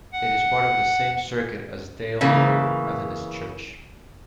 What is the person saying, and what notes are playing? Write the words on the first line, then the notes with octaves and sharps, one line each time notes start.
It is part of the same circuit as Dale Road Methodist Church.
F#5
C#3 E3 A#3